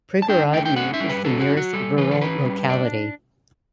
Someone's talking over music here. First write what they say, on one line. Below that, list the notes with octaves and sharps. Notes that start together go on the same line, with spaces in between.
Prigorodny is the nearest rural locality.
A5
D4 G5
A3 G5
G5
C#4 F#5
E5
G3
B4
C#4 A4
F#4
F#3
F#4
G3 A4
E3 B4
A4
C#4 B4
G3
D4 D5